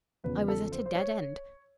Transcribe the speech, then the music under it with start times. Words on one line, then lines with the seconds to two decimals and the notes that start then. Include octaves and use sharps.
I was at a dead end.
0.24 E2 C#3 F3 B4
0.48 A4
0.72 C5
0.86 C5
0.95 C#5